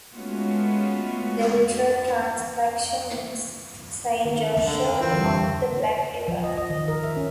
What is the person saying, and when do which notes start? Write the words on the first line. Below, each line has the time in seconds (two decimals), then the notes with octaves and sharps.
The literal translation is "Saint Joseph of the Black River".
0.14 G#3 A3 B3 C#4 F4 F#4
4.25 D#3 C4 A#4
4.64 D3
4.84 A#4 B4 F5
5.01 E3 C4 E4 F4
5.13 D3 G3
6.28 F3
6.44 D#5
6.57 D#5
6.70 D#3
6.88 A#4
7.04 E5
7.17 C#4